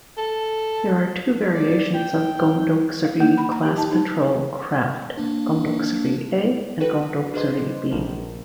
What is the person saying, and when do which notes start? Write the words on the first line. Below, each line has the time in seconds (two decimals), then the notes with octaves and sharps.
There are two variations of "Geomdoksuri" class patrol craft: "Geomdoksuri"-A and "Geomdoksuri"-B.
0.18 A4
1.55 D5
1.94 G5
3.05 F5
3.20 A#3
3.38 B5
3.52 A#5
3.65 G4
3.78 A5
3.91 D#4
5.17 A#3 D4
6.80 F#4 A4 B4 G5
7.34 D4 G#4 B4 C5 D#5 C6
7.91 A#1 F3